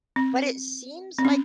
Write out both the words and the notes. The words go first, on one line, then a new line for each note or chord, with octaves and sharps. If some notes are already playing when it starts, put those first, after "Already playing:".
But it seems like
C4
C4
C#4